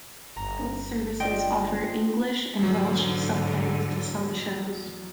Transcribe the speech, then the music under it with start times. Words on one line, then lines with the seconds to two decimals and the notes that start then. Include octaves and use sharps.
Both services offer English and Welsh subtitles to some shows.
0.36 G1 A#5
1.20 D4 F4 D#5 G5 C6
2.59 E2 G#2 D3 F#3